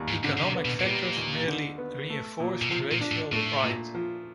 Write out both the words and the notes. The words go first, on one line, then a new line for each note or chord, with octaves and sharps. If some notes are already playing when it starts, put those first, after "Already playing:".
Economic factors merely reinforced racial pride.
Already playing: D#2 G3
G#2
G#2 D3
C#3
C3
B3
B2
B2
A#2 G3
D#2
D3
B3
A3
A#2
B2
C3 F3
A#2
D4
A2
A2 A3
A#2
F3